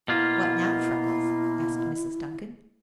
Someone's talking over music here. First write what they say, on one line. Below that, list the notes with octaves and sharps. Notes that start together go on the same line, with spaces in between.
"What now, Freckles?" asked Mrs. Duncan.
B2 A#3 E4 F4